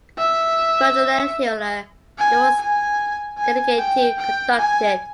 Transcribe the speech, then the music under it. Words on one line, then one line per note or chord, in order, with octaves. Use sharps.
Ferdinand Hiller, the work's dedicatee, conducted.
E5
G#5
G#5
G#5
G5
G5
G#5